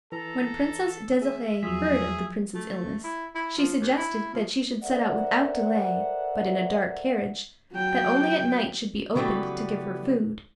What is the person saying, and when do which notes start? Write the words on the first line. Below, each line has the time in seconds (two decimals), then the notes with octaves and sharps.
When Princess Desiree heard of the Prince's illness, she suggested that she should set out without delay, but in a dark carriage, that only at night should be opened to give her food.
0.12 E3 A4 A#5
1.22 G#4 E5
1.63 E2 F3 F#3 G#4 E6 B6
2.55 A3
3.04 E4
3.35 E4
3.58 F3
3.81 D#2
3.97 E4
4.34 F3
4.83 A4 A#4 C5 D5 E5 F#5
7.72 F#3 G5
9.15 C#3 E3 F#3 G3 A3 B3